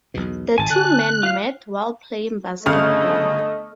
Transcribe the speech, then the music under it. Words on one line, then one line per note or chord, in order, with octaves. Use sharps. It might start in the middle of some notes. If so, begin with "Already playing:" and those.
The two men met while playing basketball.
B1 E2 B2
G#1 G#2 G#5 A5
D3 F#6
F4 F5
G1 C#3 A3 D#5 D#6 F6